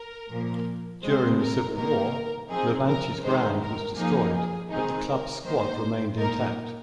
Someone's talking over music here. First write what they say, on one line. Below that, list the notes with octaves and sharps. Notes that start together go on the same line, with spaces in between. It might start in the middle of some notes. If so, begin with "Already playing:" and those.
During the Civil War, Levante's ground was destroyed, but the club's squad remained intact.
Already playing: A#4
A#2 F3 A#3
C3 G#3 C4 C5
A#4
D#3 A#3 D#4 A#4
F3 C4 D#4 G#4
A#4
D#3 G#3 D#4 C5
A#4
F3 A#3 D#4 G#4
G#4
D#3 G#3 C4 D#4 G#4
A#4
D#3 A#3 D#4 C5
A#2 A#3 D#4 A#4